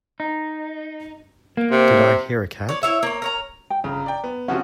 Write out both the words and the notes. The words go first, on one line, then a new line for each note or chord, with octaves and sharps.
Did I hear a cat?
D#4
A#3
C3
C#5 D5
E4 C#5 E5
A#3 C#5
A#4 C#5 A#5
G5
G1 C#3 A#5
D5 G5
B3
C3 F3 C#4 F#4 F#5